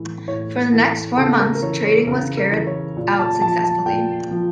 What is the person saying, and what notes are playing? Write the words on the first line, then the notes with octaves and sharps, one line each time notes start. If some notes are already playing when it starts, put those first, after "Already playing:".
For the next four months, trading was carried out successfully.
Already playing: A2 E3
A2 C#5
E3 A4
C#3 A4
A#4
A#4
E3 C#5
C#5
C#3 A#4
A#4
E3
C#5
A#2
A5
F3 A5
A5
A#2 G5
F3